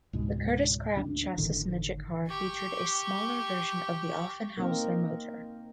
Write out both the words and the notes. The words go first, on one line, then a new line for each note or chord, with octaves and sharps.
The Kurtis Kraft chassis midget car featured a smaller version of the Offenhauser motor.
C#2 G#2 B2 G#3
D2 C#4 D4
G1 A2 D3 D#3
G4 C#6
A#3 C4 D#4 A#4